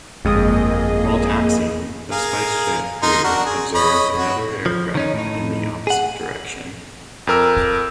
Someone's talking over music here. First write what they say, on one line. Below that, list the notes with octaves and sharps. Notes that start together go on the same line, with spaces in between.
While taxing, the Spice Jet crew observed another aircraft in the opposite direction.
G1 F2 G#3 A#3 G#4 D#5 D#6
G#4 A#4 F5
D#4 A#4 C6
D4 F#4 A#4
G#4
C#5 D#5 B5
F#4 C#5
F3
D#3 C#4 D#4
A2 D#4
G#4 F#5
F2 A#4 E6